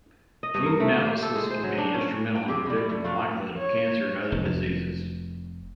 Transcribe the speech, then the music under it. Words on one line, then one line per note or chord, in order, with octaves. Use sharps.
Gene analysis can be instrumental in predicting the likelihood of cancer and other diseases.
D#5
G2
A#4
A3
G4
C5
A4
G#3
C5
F#3
D4
C#4
G5
C4 G4 G#4
B2 G3
A3
F#3 A3 F4
C#5
F1